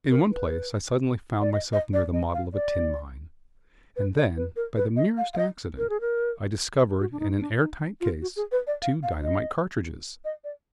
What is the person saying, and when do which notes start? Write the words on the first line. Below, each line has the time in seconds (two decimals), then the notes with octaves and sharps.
In one place I suddenly found myself near the model of a tin-mine, and then by the merest accident I discovered, in an air-tight case, two dynamite cartridges!
0.11 A#4
0.30 B4
1.41 D5
1.52 D#5
1.73 D#5
1.93 D5
2.13 D#5
2.33 F5
2.54 D5
3.96 B4
4.16 D5
4.37 B4
4.56 A#4
4.76 B4
4.96 D#5
5.17 F5
5.34 F5
5.38 D#5
5.78 A#4
5.89 G#4
6.01 A#4
7.00 F#4
7.12 D4
7.19 D#4
7.40 D4
7.60 D#4
8.00 F4
8.22 F#4
8.36 G#4
8.52 B4
8.67 D5
8.82 F5
9.03 F5
9.23 D#5
10.24 D#5
10.44 D5